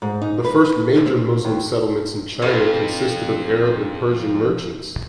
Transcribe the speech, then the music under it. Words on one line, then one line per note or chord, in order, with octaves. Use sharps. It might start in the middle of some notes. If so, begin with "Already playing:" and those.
The first major Muslim settlements in China consisted of Arab and Persian merchants.
G#2
D#4
B4
C4
D#2
F2 A4 B4 C#5